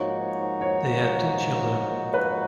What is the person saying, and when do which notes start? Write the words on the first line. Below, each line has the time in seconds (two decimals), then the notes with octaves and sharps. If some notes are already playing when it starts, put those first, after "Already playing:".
They have two children.
Already playing: G#2 F3 A#3 D#4 F#4 C#5
0.61 C#5
2.14 B4